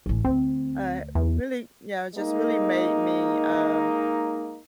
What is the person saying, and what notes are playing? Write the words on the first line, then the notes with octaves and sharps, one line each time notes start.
uh, really, yeah, just really made me, um,
A1 E3
D2 C4
E2
G#3 A#3 D#4